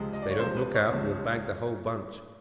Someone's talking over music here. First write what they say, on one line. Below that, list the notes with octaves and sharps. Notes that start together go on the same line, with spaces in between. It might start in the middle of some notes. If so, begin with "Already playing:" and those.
If they don't look out we'll bag the whole bunch.
Already playing: C#2 C3 F3 G#3
D#5
D5
C#5
C#2 C3 F3 G#3 C5
B4
C#5
C#2 C3 F3 G#3